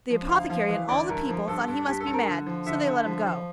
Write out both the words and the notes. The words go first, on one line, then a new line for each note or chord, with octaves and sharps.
The apothecary and all the people thought he must be mad, so they let him go.
F3
D2 F5
F3 F5
E3 F5
D2 D5
G2 A#4
F3
G2 A4
G2
G2 G4
A4
G2
A#4
D3
F3
D3 E5
D3
F3
F3